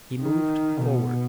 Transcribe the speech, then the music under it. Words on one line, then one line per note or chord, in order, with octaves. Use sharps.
He moved forward.
D#3
B2